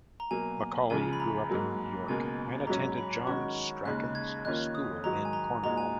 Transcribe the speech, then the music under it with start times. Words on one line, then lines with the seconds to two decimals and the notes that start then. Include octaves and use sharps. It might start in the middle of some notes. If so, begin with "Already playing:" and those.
Macaulay grew up in York and attended John Strachan's school in Cornwall.
0.20 A#5
0.31 B2 F#3 A#3 G#5
0.90 C#2 C#3 F3 G#5
1.13 B5
1.20 A#5
1.49 G#2 F#3 A#3
2.08 C#2 B2 A#3 G#5
2.67 G#2 F#3 C#4 A#5
2.98 B5
3.27 D#3 G#3 C#4 F#4 C#6
3.85 D#2 C#3 G#3 D#4 F#6
4.15 G#6
4.45 D#2 D#3 A#3 C#4 F4 F#6
4.75 D#6
5.04 G#2 D#3 F#3 A#5
5.25 G#5
5.33 A#5
5.63 A#2 G#3 D#4 F#4 A#5
5.78 G#5